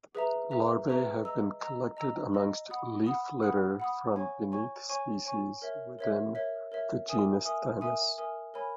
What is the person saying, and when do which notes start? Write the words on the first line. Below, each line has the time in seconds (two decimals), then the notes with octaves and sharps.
Larvae have been collected amongst leaf litter from beneath species within the genus "Thymus".
0.15 G#4 B4 E5 A#5
0.51 G#4 B4 E5 A#5
0.87 G#4 B4 E5 A#5
1.24 D#5 A#5 E6
1.60 D#5 A#5 E6
1.97 D#5 A#5 E6
2.34 D#5 A#5 E6
2.70 F#5 B5 D#6
3.07 F#5 B5 D#6
3.43 F#5 B5 D#6
3.80 F#5 B5 D#6
4.16 C#5 G#5 C#6
4.52 C#5 G#5 C#6
4.89 C#5 G#5 C#6
5.25 C#5 G#5 C#6
5.62 A#4 C#5 E5
5.99 A#4 C#5 E5
6.35 A#4 C#5 E5
6.72 A#4 C#5 E5
7.08 A#4 E5 G#5 D#6
7.45 A#4 E5 G#5 D#6
7.81 A#4 E5 G#5 D#6
8.18 A#4 E5 G#5 D#6
8.54 A#4 C#5 G#5 B5